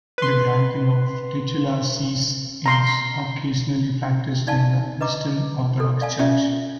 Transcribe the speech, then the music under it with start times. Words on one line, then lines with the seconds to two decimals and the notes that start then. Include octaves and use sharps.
The granting of titular sees is occasionally practised in the Eastern Orthodox Church.
0.18 B4 C6
2.66 A#5 C6
4.47 D#4 D5 F5 G#5 A5
5.01 B4 D#5 A#5 D6
5.80 A4
6.01 D5 F5 G#5
6.19 C#4 F4 D5 E5